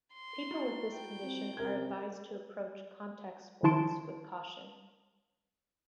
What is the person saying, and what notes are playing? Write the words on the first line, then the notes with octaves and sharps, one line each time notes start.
People with this condition are advised to approach contact sports with caution.
C6
D#4 E4 F#4
G5
C4
C3 C#4 A#4 G#6
D#3 F3 E4 A5 C6 D7